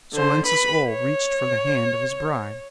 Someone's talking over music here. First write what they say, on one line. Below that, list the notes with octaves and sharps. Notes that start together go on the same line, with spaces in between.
Salensus Oll reached for the hand of his bride.
D3 C5
B4 B5
C#5